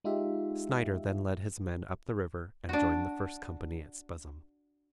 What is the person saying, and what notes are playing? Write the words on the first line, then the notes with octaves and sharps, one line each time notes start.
Snyder then led his men up the river and joined the first company at Spuzzum.
G#3 D#4 F4 G4 E5
D4 F#4